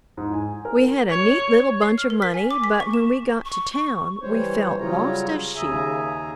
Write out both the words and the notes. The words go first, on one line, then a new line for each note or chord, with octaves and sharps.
We had a neat little bunch of money, but when we got to town we felt lost as sheep.
G#2
G#5
A#4
C#5
C7
F6
A#4
B6
G#5
D6
B6
C#6
E7
C#6
E3 G3 C5 C#5
C#3 F#3 G3 F4 C#5 A#5
D#2 C#3 G#4 E5 G#5 A#5